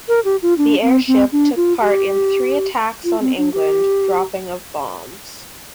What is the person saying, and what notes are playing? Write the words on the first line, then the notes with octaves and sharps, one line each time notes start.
The airship took part in three attacks on England dropping of bombs.
A#4
G4
F4
D4
C4
C4
D4
F4
G4
F4
C4
D4
G4